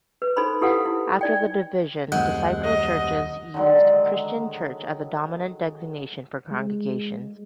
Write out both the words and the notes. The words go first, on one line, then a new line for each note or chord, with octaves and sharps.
After the division Disciples churches used "Christian Church" as the dominant designation for congregations.
B4
D#4 A4 C5 B5 C6
E4 G4 A4 B4 F5 F#5
E4
D#4 D5 G5
D#1 F#2 G#3 F#5 G6
D#5
D3 D#3 F#3 G#3
G#3